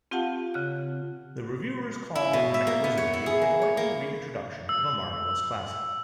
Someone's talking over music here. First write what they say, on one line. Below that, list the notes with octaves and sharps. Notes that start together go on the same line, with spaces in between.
The reviewers called MacWizardry a delightful reintroduction of a marvelous classic.
C4 F4 G4 F5 F#5 A5
C#3 F#6
E4
B2
E5
A#3
B3
C#5
E4
G#4
A#3
C#5
A#3
E6